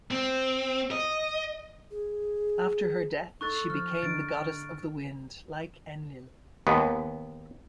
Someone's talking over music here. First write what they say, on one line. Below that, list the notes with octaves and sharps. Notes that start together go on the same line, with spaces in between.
After her death, she became the goddess of the wind, like Enlil.
C4
D#5
G#4
D#4 A4 C#6 E6 F#6 A6
F3 F6
D3 D4 D#4 A6 D7
D#2 B3